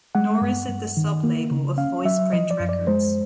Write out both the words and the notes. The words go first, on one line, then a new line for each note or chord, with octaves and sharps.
Nor is it the sub-label of Voiceprint Records.
G#3 F#5
G2
G2
D#3
A#3
C#3
C#4 F5
F#3 E5
F3 D#5
D5
F#2
D5
G#3 C5